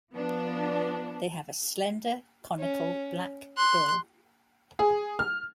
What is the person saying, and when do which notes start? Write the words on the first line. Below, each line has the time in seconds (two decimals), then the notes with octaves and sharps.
They have a slender conical black bill.
0.12 F3 B3 D4
2.58 C#4
3.57 C6 F#6
4.79 G#4
5.19 F6